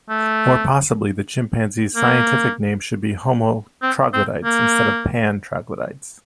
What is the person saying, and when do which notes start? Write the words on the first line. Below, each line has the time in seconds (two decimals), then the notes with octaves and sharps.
Or possibly the chimpanzee's scientific name should be "Homo troglodytes" instead of "Pan troglodytes".
0.09 A3
1.96 A#3
3.82 C4
4.13 C4
4.44 A#3